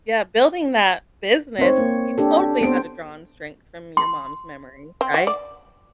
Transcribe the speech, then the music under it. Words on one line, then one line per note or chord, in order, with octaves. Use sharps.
Yeah, building that business, you totally had to draw on strength from your mom's memory, right?
C4 D#4 C5 C#5
A#3
D4 G4 A4
B3 C4 C5 D7
C6
C4
F#4
D5